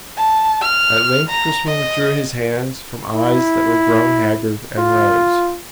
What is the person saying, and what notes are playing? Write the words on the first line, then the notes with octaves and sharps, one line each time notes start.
At length Crispin withdrew his hands from eyes that were grown haggard, and rose.
A5
F6
A#5
D#5
E4
F4